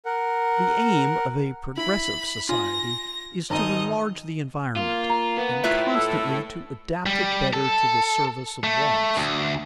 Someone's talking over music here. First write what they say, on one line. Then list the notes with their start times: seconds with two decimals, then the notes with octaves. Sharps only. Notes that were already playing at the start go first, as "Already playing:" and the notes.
The aim of a progressive society is to enlarge the environment, and constantly to adapt it better to the service of wants.
0.05 A#4 F#5
1.77 E4 B5
2.49 F4 G#5 A#6
3.50 G#1 D#4 D#5 A#5
4.76 A#3 F4
5.10 A#5
5.37 B3
5.64 A3 E4 F4 B4 E5
5.95 A4 E6
7.06 G3
7.53 A4
8.64 A3
9.17 D2